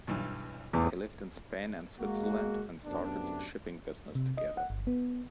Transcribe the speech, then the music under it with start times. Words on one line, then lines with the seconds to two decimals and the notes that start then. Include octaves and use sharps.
They lived in Spain and Switzerland and started a shipping business together.
0.07 B1 G2 E3
0.73 E2 A2 D6 D#6
2.00 G#3 A#3 F#4
2.85 F#2 C3 A3 B3 D4
4.15 C3
4.37 D#5
4.57 F#5
4.70 G1
4.87 B3